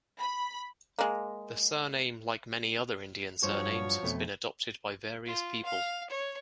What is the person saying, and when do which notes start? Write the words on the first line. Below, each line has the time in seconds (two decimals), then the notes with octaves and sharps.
The surname like many other Indian surnames has been adopted by various people.
0.19 B5
0.99 G#3 A#3
3.43 G2 F3 F#3 C5 C#5
4.03 F2 B2 A3
5.26 F4
5.65 F5
6.10 C#5